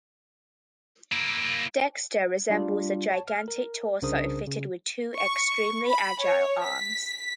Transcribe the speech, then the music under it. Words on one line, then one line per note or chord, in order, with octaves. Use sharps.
Dextre resembles a gigantic torso fitted with two extremely agile, arms.
A#3 E4
G3 D4 F4
C#5 A5
F6
A#4
C2 C#3 D4 A#4 C5 D#6
C#3
C#6
B5
C#5
B6